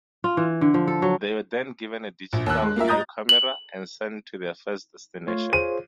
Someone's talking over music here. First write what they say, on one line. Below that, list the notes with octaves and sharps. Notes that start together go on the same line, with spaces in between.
They were then given a digital video camera, and sent to their first destination.
F4
E3
D3
F3
A4
F#3
A#1
D#2 E6 F#6
G#3
A#3 F4 A#4 E5
D#5 A#5 D#6 G6 A6
F#7
A3 F4 C#5 F5
G#4 C5 D#7